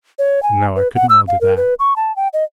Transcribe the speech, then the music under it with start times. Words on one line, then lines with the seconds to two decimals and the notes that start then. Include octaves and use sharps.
No, I couldn't well do that.
0.19 C#5
0.43 G#5
0.76 B4
0.95 F#5
1.09 E6
1.28 F5
1.41 A#4
1.57 B4
1.79 C#6
1.96 A5
2.16 G5
2.33 D#5